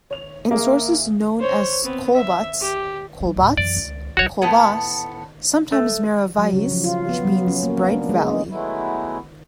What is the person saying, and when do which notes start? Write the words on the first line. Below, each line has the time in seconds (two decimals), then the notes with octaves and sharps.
In sources known as "Colbatz", "Kolbatz", "Colbas", sometimes "Mera Vallis" which means "Bright Valley".
0.11 C#5 F7
0.51 A#3 G#4 E5 F5
1.40 C5 C#5
1.84 B3 C4
2.13 E5
2.60 G4
3.20 F#3 G3
3.36 D2 A2
3.57 F#2 E3 D5
3.77 C#2
4.17 B1 F#3 F#4 C#5
4.42 A2 A3 B3
5.72 A3
6.39 F#3
6.53 C#3
6.71 F3
6.84 F4
7.09 B3
7.25 F#3
7.47 C#4
7.63 A#3
7.78 B3
7.93 D4
8.09 G#3
8.30 C#4
8.48 F#3 G#3 A3 B3 E4